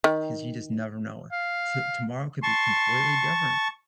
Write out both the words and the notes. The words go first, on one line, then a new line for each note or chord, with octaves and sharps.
'cause you just never know. T tomorrow could be completely different
D#3
F5
A5 C6 C#6